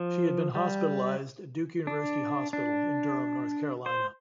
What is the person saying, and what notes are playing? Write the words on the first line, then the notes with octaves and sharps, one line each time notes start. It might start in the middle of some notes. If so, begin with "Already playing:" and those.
She had been hospitalized at Duke University Hospital in Durham, North Carolina.
Already playing: F3
G3
D4
D4
C5